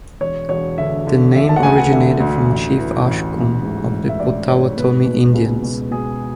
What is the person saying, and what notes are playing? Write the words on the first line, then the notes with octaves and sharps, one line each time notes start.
The name originated from Chief Ashkum of the Potawatomi Indians.
E1 C#5
E1 C#5
D3 E5
D3
E1 E5
A5
F#5
D2 G#5
F#5
D3 E5
D2
A1
E3
A1
A1
G#2
A1
E5
A1 D5
G#2 C#5
B2 B4
B2
C#2
B2
B2 G#4